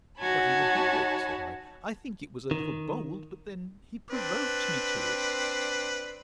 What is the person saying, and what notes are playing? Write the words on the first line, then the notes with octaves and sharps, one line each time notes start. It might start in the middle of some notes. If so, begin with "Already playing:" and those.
But he would hear it! said I: I think it was a little bold; but then he provoked me to it.
D#4 F#4 C#5 G#5 A5 B5
D#3
C4 D4 B4